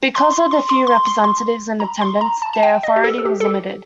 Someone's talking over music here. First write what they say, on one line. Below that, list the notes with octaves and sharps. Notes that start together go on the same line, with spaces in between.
Because of the few representatives in attendance, their authority was limited.
C6
C6
C6
C6
C6
C6
C6
A#5
C6
A#5
A5
A5
G5
D#5
G4
A4
A4
G4
A4
G4